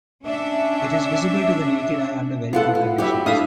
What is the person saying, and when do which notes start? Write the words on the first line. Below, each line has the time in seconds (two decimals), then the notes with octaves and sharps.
It is visible to the naked eye under very good conditions.
0.23 C#4 D4 E5
2.53 B3 E4 F4 A4 F#5
2.75 B3
2.98 F#3 E4 G4 E5
3.26 D4 E4 A4 E5 F5 D#6